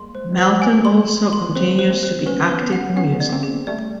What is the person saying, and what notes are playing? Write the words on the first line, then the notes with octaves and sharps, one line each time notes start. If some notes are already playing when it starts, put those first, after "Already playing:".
Melton also continues to be active in music.
Already playing: G3 G#3 A#3 C6
C5
C5
G#5
C6
C6
C6
A#3 C4 C5
C5
A#3 C4
C5
B3 C#4 B4
B4
B3 C#4
F#5
B3 C#4 F#5
D5
A#3 C4
G#4
G3 A3 D5